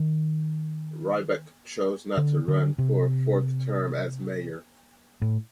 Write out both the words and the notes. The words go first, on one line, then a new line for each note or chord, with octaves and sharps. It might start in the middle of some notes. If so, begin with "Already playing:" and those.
Rybak chose not to run for a fourth term as mayor.
Already playing: D#3
D3
D3
C3
A2